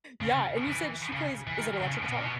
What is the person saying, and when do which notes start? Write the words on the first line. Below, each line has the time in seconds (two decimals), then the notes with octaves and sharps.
Yeah, and you said she plays is it electric guitar?
0.21 C#3
0.67 E3
1.13 C#3
1.47 E3
1.58 D#3
1.81 C#3
2.03 B2
2.12 A#2
2.22 B2